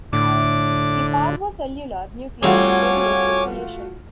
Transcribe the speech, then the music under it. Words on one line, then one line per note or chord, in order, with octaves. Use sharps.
The parvocellular nuclei regulate exhalation.
A2 D3 D6
G3 A3 C4 F4 F#4 C#5 G#5 D6